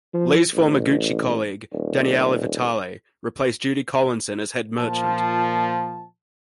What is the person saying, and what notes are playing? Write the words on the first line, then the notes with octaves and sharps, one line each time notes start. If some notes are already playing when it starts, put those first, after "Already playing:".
Lee's former Gucci colleague, Daniella Vitale, replaced Judy Collinson as head merchant.
F3
A1
D#1
A#2 F3 A5